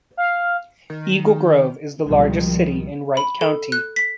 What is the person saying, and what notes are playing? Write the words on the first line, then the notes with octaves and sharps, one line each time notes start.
Eagle Grove is the largest city in Wright County.
F5
D#3
C#2 B2 D#3 F3 G3
B5
A4
F#6
B6